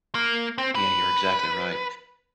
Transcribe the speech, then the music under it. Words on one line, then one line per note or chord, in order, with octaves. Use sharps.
Yeah, you're exactly right.
A#3
C4
B4